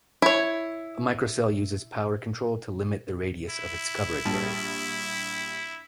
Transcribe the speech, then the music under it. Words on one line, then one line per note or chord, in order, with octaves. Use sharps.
A microcell uses power control to limit the radius of its coverage area.
E4 C#5
E4
A#1 G3 A5